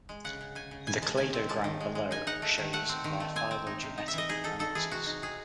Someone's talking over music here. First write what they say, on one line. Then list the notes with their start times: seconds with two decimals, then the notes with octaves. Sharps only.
The cladogram below shows their phylogenetic analysis.
0.09 G#3
0.24 C#3 F#5
0.41 C#3
0.55 C#3 G#5
0.71 C#3
0.87 E3 G#5
1.02 G#3 A5
1.17 D#3 G#5
1.33 C4
1.49 G#3 A5
1.64 D#3
1.80 G#3
1.95 G#3
2.11 D#4 G#5
2.27 D#4 F#5
2.42 A3
2.58 D#3
2.73 A3 F#5
2.89 C4
3.04 D#3
3.20 A3
3.36 C4 G#5
3.51 C4
3.67 D#4
3.82 C3
3.98 D#4
4.08 E5
4.13 E3 D#5
4.29 D#4 G#4
4.44 D#4 A4
4.59 D#4 A4
4.75 E3 G#4
4.91 C3 F#4
5.06 D#4
5.22 C3 G#4